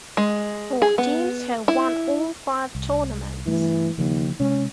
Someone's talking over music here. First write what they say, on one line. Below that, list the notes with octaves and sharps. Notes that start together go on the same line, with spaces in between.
Four teams have won all five tournaments.
G#3
G#4
B3
E4
C2
G2 E3 A3
D#2 C#3 F3 A#3
C3 G#3 C#4